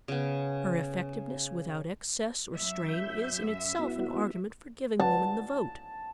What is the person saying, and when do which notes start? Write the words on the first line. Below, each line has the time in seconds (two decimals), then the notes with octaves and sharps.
Her effectiveness without excess or strain is in itself an argument for giving woman the vote.
0.08 C#3 B3
2.56 F#2 E5
2.86 G6
3.79 B3 E4 F#4
5.00 A5